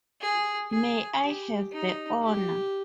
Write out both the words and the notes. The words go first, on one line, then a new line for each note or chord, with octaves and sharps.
May I have the honor?
G#4
G#4
G4
D#4
G4